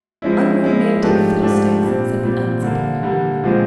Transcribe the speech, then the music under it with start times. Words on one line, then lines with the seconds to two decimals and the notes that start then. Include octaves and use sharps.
"Unromantic fiddlesticks!" said the unsympathetic Marilla.
0.22 F3 G#3 C#4 E4
0.63 F3 G#3 C#4 E4
1.02 G#2 F3 A3 D4 G4
1.42 G#2 F3 A3 D4 G4
1.83 A#2 G3 C4
2.23 A#2 G3 C4
2.62 D3 G3 A#3
3.03 D3 G3 A#3
3.43 A#2 F3 G#3 C4